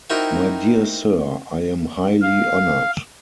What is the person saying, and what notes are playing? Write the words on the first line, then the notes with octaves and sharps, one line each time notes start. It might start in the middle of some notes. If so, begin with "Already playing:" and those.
My dear Sir, I am highly honoured.
C4 D#4 E4 F#4 A#4 G5
F5